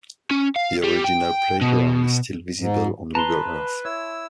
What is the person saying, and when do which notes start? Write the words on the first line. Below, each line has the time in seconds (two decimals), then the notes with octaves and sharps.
The original playground is still visible on Google Earth.
0.31 C#4
0.56 F5
0.84 G3
1.05 G5
1.61 B2
2.59 G#2
3.15 B4 A5 A#5 C6
3.85 E4 C#5 E6